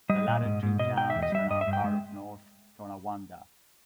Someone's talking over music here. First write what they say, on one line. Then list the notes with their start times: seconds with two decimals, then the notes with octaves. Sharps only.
The latter two towns are now part of North Tonawanda.
0.10 G3 D#5
0.28 A#2
0.45 G#2
0.63 G#2
0.79 B2 D#5
0.98 B2 G5
1.10 E5
1.15 E2
1.23 D#5
1.32 G3 E5
1.50 G2 D#5
1.61 E5
1.67 G2
1.73 G5
1.84 G#3